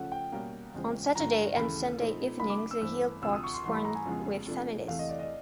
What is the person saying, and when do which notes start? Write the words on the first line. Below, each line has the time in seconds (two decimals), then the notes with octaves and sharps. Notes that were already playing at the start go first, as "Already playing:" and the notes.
On Saturday and Sunday evenings the hill park swarmed with families.
Already playing: C#3 F3 A3 C#4 F#5
0.12 G5
0.32 B2 G3 A#3 C#4
0.74 E2 C#3 F3 G#3 C4
1.15 G2 D3 F3 A#5
1.57 D#2 C#3 E3 A3 B5
1.98 A#2 F3 A3 C4 D#4
2.39 C#3 F#3 A#3 D#4 B5
2.50 D6
2.71 E6
2.81 G2 E3 A3 C4 E6
3.22 D2 C3 F3 E6
3.33 D#6
3.44 C#6
3.54 C6
3.64 G#2 E3 G3 A#3 C6
3.75 B5
3.85 A#5
3.95 G#5
4.05 F2 C#3 F3 G#3 B3
4.47 C3 F3 A3 D4
4.88 E2 C3 E3 A3 F5
4.99 D#5
5.09 D5
5.19 D#5